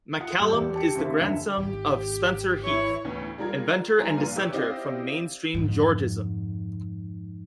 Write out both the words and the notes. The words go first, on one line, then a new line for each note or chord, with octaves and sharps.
MacCallum is the grandson of Spencer Heath, inventor and dissenter from mainstream Georgism.
F4 F5 F#5 D#6 C#7
D#1 G3 E5 E6 G6
E2 G4 D5
G4 A5 C#7
D#2 C#3 C5 E5 B6
F1 D3 E5 G#5 E7
G#1 G4
E3 E4 C#5
D2 A2 E3 B3 C#4
G3 G#3 F4 A#4 G#6
G3 B3 E4 G#5 A#5 C6
F1 A#2 D4 B4 F5 D#7
G4 B4 C#5 G5 D6 E6
C4 E4 G4 D5 D#5 F5
F2 G#2